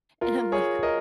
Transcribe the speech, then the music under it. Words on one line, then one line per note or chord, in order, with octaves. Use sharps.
And I'm like,
F4 A#4
G#4 C#5
A#4 D#5